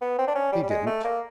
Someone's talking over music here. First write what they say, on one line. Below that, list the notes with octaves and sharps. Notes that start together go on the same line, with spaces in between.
He didn't.
B3
C4
D4
C#4
G3
G3
G#3
A3
A#3